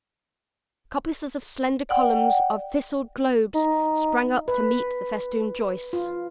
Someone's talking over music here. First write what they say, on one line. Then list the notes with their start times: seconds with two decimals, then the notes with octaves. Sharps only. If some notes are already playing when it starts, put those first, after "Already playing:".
Coppices of slender columns of thistled globes sprang up to meet the festooned joists.
1.89 D5 F#5 G5
3.55 D#4
4.48 B4
5.93 F4